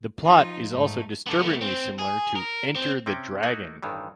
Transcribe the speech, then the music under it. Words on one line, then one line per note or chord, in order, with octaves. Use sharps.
The plot is also disturbingly similar to "Enter the Dragon".
F3 D#4 F4
G#2 A3 D#4
B3 A4
A3 B3
C4
G#4
A#4
C4
C3 C4 C#4 G5
A3 A#3 D#4 F#4 F#5 G#5
A1 G2 D#3 E3